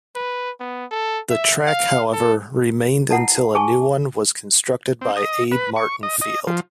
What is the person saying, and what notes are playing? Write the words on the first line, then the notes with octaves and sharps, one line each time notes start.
The track, however, remained until a new one was constructed by Abe Martin Field.
B4
B3
A4
E5
F5
A4
E4 F#5 A5
G#4 G#5 A5 C#6
C4
D#5
B4
C#6
D#5
D#5
F3